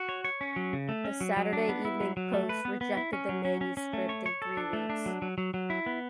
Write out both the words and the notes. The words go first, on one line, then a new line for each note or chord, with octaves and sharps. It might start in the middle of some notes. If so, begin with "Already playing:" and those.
"The Saturday Evening Post" rejected the manuscript in three weeks.
Already playing: F#4
C#5
C#5
C#4
F#3
C#3
A3
C#4
F#3
F#3
D4
B3
E4
F#3
F#3
A3
B4
B3
B3
E4
C#4
F#3
C#4
C#4
C#4
A3
C#5
C#5
A4
D4
A3
D4
F#3
F#3
F#3
F#3
E4
B3